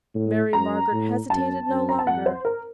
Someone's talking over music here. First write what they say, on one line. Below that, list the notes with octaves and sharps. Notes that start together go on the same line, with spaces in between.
Mary Margaret hesitated no longer.
A2
F#2 A#5
A2
F#2 A5
F#2
A#5
A5
F2 F#5
C5
A#4